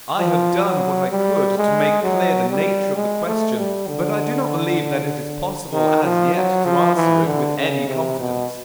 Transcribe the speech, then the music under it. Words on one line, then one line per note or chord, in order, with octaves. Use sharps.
I have done what I could to make clear the nature of the question, but I do not believe that it is possible as yet to answer it with any confidence.
F3
F#3
G3
G#3
F#3
G3
G#3
A3
G3
D3
D#3
F3
F#3
F3
E3
D3
C#3
C3
B2